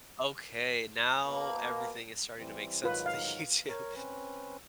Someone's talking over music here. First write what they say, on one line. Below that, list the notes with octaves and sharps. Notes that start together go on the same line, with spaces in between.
Okay, now everything is starting to make sense to YouTube.
B2 A#3
E3 G3 C4
G#2 D#3 F#3 F4 B4
F5
A#4 C#5
C4 C#4 B4